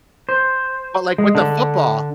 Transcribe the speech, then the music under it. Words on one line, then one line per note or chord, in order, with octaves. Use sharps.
But like with the football
C5
G#3
D3